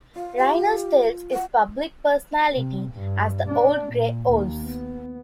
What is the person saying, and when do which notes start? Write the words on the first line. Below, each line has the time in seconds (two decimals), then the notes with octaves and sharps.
Rhyner styles his public personality as "The Old Grey Wolf".
0.15 F4 F5
0.37 G4
1.33 F#5
2.53 C3
2.92 G2
3.48 D4
3.93 A#2
4.28 D#2
4.64 B3